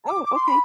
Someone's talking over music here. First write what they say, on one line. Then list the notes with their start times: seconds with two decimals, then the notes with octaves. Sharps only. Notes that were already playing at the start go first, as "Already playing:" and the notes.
Oh, okay.
0.08 D6
0.25 D6
0.35 C6
0.46 B5